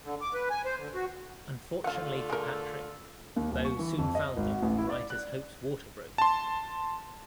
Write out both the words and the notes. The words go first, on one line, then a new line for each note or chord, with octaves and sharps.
Unfortunately for Patrick, Bo soon found them right as Hope's water broke!
D3
D6
B4
G#5
C5
D3
F#4
D3 A3 F4 F5 F#5
G#3 A#4
D#2
D#1
C#6
E3
F2
D#5
G#1
F#4
A1
E4
D5
F#6
A5 C6